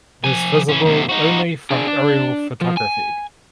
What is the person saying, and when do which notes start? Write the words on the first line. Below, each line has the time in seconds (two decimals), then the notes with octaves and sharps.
It is visible only from aerial photography.
0.24 F3 G#5
0.69 E3 C#4
0.85 D#2 C3
1.09 D#4 F#4
1.71 D4 G#4
1.87 D4
2.61 F3
2.77 G#5